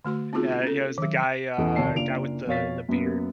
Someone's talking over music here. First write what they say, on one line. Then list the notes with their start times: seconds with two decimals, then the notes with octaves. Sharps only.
Uh, yeah, it was the guy, uh, guy with the the beard.
0.05 D3 A3 F#4 C6
0.33 B3 C4 D#4 F4 F#4 G#4
0.64 C#4 A4
0.98 D#3 F#3
1.58 A1 E2 E3 A4 D#5
1.76 F1 D#2 C3 C#5 A5 C7
1.95 F#1 A#3 D4 F4 D7 F7
2.47 F2 B2 C#5 F5 A6 B6
2.89 F#2 A#3 B3